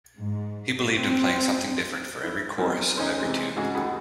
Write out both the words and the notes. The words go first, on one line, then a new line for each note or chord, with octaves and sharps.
He believed in playing something different for every chorus of every tune.
G#2
C4
E4
F3 F#3 B3 C4 D#4
D2 C#4 D#4 C5 C6
C3 E3 G#3
G#2 C#3 F#4 G#4
D#2 F#4 G#4 F#5 B5